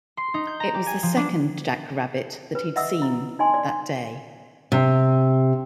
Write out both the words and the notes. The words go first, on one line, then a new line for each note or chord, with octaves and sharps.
It was the second jack rabbit that he had seen day.
C6
D#4
G6
A#5
G4
G#5
F3
D4
B4
D#5 E5 F#5 D#6 E6
E4
D#4 D#5 G#5 C6
D5
C3